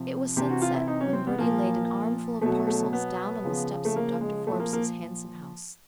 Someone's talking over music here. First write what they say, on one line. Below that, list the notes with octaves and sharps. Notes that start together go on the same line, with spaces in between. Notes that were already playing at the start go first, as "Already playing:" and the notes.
It was sunset when Bertie laid an armful of parcels down on the steps of Doctor Forbes's handsome house.
Already playing: C3 F3
C3 E3 G4
F#4
F4
E4
D#4
C#4
C4
B3
A#2 F3 A#3
B2 F#3 A3
A3
B3
C#3 F3
A3
A#3
G#3
A#2 F3 A3
A#3
A#3